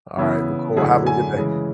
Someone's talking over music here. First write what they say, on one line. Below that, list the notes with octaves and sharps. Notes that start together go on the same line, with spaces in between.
All right, well, cool. Have a good day.
C#3 E3 B3 E4
F#2 D3 F#3 A3 E4 G#4
G#5
C#3 E3 G#3